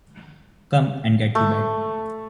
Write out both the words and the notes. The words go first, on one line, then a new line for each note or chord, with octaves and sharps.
Come and get to bed.
A3